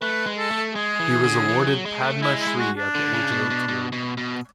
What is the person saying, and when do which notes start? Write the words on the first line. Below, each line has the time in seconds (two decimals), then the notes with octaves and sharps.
He was awarded Padma Shri at the age of eighteen.
0.02 A3 B4
0.26 G#3
0.38 A4
0.51 A3
0.75 G#3 G#4
1.00 E3
1.24 D3
1.49 E3
1.67 F#3
1.86 G#3
2.03 A3
2.22 G#3 E4
2.41 E4
2.47 G#3
2.59 F#4
2.77 D4
2.95 D3
3.13 C#3
3.32 B2
3.50 B2
3.68 B2
3.92 B2
4.17 B2